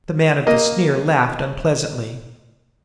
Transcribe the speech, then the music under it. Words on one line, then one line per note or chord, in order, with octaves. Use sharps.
The man of the sneer laughed unpleasantly.
A#3 D#5